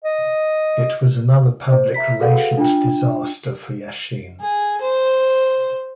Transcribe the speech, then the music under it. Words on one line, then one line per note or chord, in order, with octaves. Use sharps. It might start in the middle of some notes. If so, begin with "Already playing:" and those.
It was another public relations disaster for Yashin.
D#5
C5
E5 A#5 B5 B6
F#4 G#4 A4 B4 F5 F#5
D4 F4 G5
G#4
C5